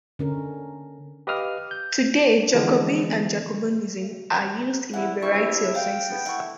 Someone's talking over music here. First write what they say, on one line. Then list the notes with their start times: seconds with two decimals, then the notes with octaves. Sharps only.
Today, Jacobin and Jacobinism are used in a variety of senses.
0.19 D3 C#4 A#4
1.27 G4 B4 D#5 F5 D#6 F6
1.71 G6
2.54 D3 E3 F3 G#3 B3
4.93 E3 G3 E4 F#5
5.22 G2 C3 E4 G#5 C#6
5.75 F5 G5
6.09 B3
6.26 A3 E4 F#5 C#6